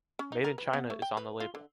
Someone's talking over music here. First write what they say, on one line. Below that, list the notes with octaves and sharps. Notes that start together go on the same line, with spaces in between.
Made in China is on the label.
C#4
D#4
A#4
B4
B3
A3
G5
B4
F4
D3